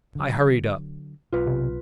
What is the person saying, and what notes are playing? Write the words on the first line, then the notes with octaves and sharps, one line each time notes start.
I hurried up.
D3 F#3
B1 F4 B4
C3